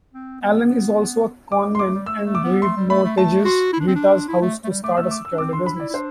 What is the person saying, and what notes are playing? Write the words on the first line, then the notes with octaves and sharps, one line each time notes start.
Alan is also a conman and re-mortgages Rita's house to start a security business.
C4
B3
G3 D6
C6
G3 D6
A3
G3
A3 E6
A3
D6
B3
A3 C6
G3
A3 B5
A3
A3 A5
F#4 C6
E4
D4
C4
D4
E4
A3
A3
G3
A3 D6
B3 E6
A3
D6
E6
D4
C4 D6
D4 C6
B5
E4 D5
E4
D4 C5